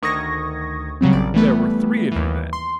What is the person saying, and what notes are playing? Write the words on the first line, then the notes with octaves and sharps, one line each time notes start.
"There were three of you, then."
D2 D#3 C#6 D#6 G#6 A#6
C#3 F#3 G3 C4
A#1 D5
E3 G3 A3 B3
D#2 E3
C6